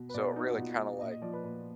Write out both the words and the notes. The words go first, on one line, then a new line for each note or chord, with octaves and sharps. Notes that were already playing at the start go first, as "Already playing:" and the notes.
So it really kind of like,
Already playing: B2
B4
B2 D5
B4
D#4
F#4
B2 F4
A#2 D#5
D#5
F3 D5
B4
A#2 B4